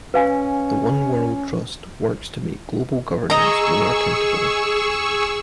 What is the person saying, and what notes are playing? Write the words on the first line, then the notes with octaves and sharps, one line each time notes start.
The One World Trust works to make global governance more accountable.
C#4 B4 F5 G#5
G#4 D#5 A#5 C#6 E6